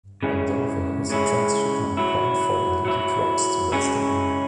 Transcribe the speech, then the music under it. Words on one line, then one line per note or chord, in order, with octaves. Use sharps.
Moldova is a transshipment point for illegal drugs to Western Europe.
C#3 G#3 C#4 E4
C#3 G#3 C#4 E4
F#3 E4
F#3 E4
C#3 G#3 C#4 E4